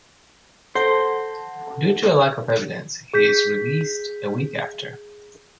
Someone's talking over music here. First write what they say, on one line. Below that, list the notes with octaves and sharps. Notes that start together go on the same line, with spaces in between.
Due to lack of evidence, he is released a week after.
A4 C5 F#5 A5
G#4 G6 B6